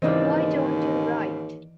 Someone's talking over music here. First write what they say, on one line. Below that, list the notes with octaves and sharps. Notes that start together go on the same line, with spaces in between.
Why don't you write?
D#2 G#2 C#3 E3 C4 D5 D#5